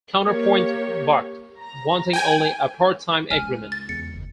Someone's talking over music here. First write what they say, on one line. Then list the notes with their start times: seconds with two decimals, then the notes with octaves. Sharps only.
Counterpoint balked, wanting only a part-time agreement.
0.23 A#3 G4 C#5
1.60 A#5
2.13 G5 G#5
3.30 C#2 G#5 F6
3.72 A6
3.89 E2 C#7
4.14 F#1